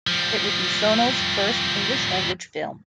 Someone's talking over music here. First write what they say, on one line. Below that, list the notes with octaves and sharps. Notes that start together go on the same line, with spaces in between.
It would be Sono's first English-language film.
F3 G3